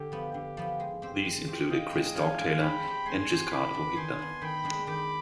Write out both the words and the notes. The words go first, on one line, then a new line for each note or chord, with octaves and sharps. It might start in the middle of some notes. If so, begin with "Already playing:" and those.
These included Chris Dogtailer and Giscard O'Hitler.
Already playing: D3 G4
F3 B3
D3 G4
F3 B3
G#3
C4 G4
G#3
C4 G4
F3 D#5 G5
G#3 D4 G#4
F3 F5 G#5
G#3 D4 G#4
G#3 G5 B5
C4 G4
G#3 G#5 C6
C4 G4
D#3 B5 D6
B3 D4
D#3 G#5 C6
B3 D4
D#3 G5 B5
G#3 D4 G#4
D#3 B5 D6